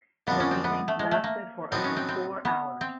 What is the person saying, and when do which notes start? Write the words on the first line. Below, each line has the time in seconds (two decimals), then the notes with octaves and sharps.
The meetings lasted for over four hours.
0.27 F2 D3 G3 A#3 B3
0.40 C#4
0.51 C4
0.64 B3
0.88 A3
0.99 G#3
1.11 A3
1.24 A#3
1.72 A2 F#3 B3 C4 D#4
1.84 C#4
1.97 C4
2.09 C4
2.45 B3
2.81 C4